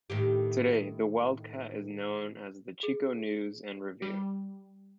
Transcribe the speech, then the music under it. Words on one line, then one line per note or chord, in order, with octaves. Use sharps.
Today, "The Wildcat" is known as the "Chico News and Review".
A2 D#3 G4
G#4
G3